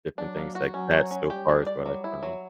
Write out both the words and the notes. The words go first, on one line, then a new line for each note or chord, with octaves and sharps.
different things like that, so far is what I found
F#3 D4
A#3
F#4
F#3 C#4
C#5
C#4
G3 G4
D4
D5
F#3
E4
F#3